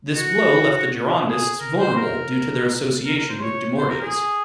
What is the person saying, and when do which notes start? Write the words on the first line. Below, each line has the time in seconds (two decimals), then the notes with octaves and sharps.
This blow left the Girondists vulnerable due to their association with Dumouriez.
0.16 F#4
1.25 G#4
1.61 A#4
1.79 C5
1.97 A#4
3.05 A#4
3.17 A#4
3.30 C5
3.41 C#5
3.77 C5
3.89 A#4
4.01 G#4